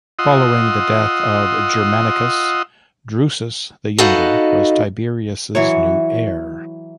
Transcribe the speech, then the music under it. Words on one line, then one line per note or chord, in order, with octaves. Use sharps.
Following the death of Germanicus, Drusus the Younger was Tiberius' new heir.
F4 D#5 F#5 C6 D#6 E6
D#4 F#4 A4 B4 D#5 F5
E3 F#3 C#5